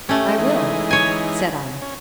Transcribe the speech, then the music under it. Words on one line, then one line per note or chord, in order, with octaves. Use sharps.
"I will," said I.
A3 C#4 G4
E3 G#3 D#4
C#5 G#5
C#4